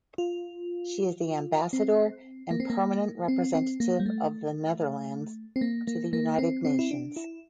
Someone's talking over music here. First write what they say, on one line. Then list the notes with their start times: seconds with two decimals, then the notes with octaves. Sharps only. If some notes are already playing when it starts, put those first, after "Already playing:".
She is the Ambassador and Permanent Representative of The Netherlands to the United Nations.
0.18 F4
1.73 C4
2.51 A#3
2.60 C4
2.70 A#3
3.28 C4
3.54 C4
3.80 A#3
4.00 G3
4.06 A3
5.56 C4
5.61 A#3
5.87 A#3
6.13 A#3
6.38 C4
6.65 C4
6.79 E4
6.91 D4
7.16 E4